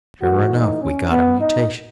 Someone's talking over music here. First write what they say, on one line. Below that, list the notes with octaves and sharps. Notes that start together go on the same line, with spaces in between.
Sure enough, we got a mutation.
A2 E3 F#4
D#4
C#4
B3
D#4